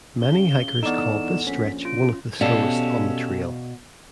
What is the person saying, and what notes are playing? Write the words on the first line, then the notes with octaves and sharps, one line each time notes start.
Many hikers call this stretch one of the slowest on the trail.
C#3 G7
E2 B3 D#4 A4 D5 E7
E2
A#1 C#4 B6
F4 D7
B2 C#4 G4 A4 D5 F5